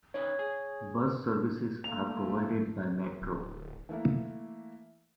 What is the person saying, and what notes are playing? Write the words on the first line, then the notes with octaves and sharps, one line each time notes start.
Bus services are provided by Metro.
C#4 D#4 B4 C#5
G#4
A3 A#3 F7
D1
E3 A3 A#3 E4